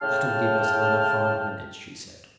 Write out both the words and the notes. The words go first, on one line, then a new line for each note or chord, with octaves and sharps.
"That'll give us another five minutes," she said.
A2 C#3 G5 A5 F6